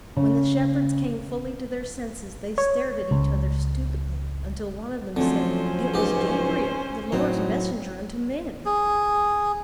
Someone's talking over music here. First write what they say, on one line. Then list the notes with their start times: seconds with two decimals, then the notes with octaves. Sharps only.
When the shepherds came fully to their senses, they stared at each other stupidly, until one of them said, "It was Gabriel, the Lord's messenger unto men."
0.17 C#3
2.58 C#5
3.11 C#2
5.16 D3 F3 F#3 A3 C4 C#4 C5
5.94 C#2 G#2 G4
7.12 A2 F#3 C4 D#4
8.66 G#4